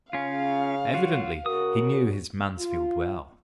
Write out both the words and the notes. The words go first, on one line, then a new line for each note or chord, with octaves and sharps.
Evidently he knew his Mansfield well.
C#3 C#4 F4 F5
F#3 F4 F#4
C#3 F#4 A#4 D#6
F4